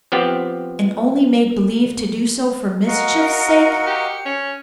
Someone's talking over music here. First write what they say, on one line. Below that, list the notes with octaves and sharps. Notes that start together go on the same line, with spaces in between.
"And only made believe to do so for mischief's sake?"
F3 B3 C4 G4
F#4 A#4 D#5 F5 C#7
G4
C#4